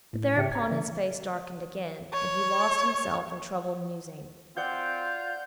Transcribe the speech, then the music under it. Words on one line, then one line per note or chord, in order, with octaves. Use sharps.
But thereupon his face darkened again, and he lost himself in troubled musing.
A2
G#2 C#3 G4 E5 G5 C#7
A#5 G#6
C#3 E3 E5
C#5
C4 F4 D5 F#5 G6